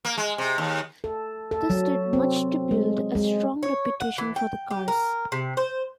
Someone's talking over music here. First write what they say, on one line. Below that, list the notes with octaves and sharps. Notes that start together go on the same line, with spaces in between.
This did much to build a strong reputation for the cars.
A#3
G#3
C3
D#2
A4
A4
F#3
C4
G#3
G#3
C#5
F#5
E3
G5
G4
A#4
C3
C5